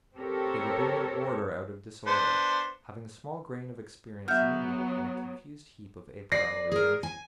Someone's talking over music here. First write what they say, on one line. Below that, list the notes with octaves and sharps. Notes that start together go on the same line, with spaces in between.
They were bringing order out of disorder, having a small grain of experience mingled in a confused heap of a priori notions.
C4 G4 A4 A#4 C#5
B3 D4 C5
F#3 B3 F#4 E5 F6 G6
B4 D5 A#6 C7
G#4 A#4
G#5